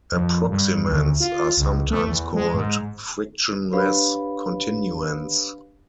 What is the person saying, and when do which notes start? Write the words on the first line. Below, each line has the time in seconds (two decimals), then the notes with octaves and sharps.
Approximants are sometimes called "frictionless continuants".
0.12 F2
0.48 G2
0.89 D2
1.20 F4
1.58 C#2
1.91 A3
2.07 E2
2.35 G#3
2.54 G#2
3.73 D4 G4 B4 C#5 F5 B5